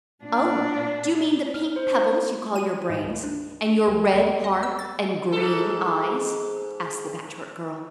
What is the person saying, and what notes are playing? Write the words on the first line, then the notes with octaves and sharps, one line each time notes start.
"Oh; do you mean the pink pebbles you call your brains, and your red heart and green eyes?" asked the Patchwork Girl.
A#2 D4
F6
C5
D#7
G#2
C#2
D4
D2
D#2
D#5
E6
A6
G#2 A4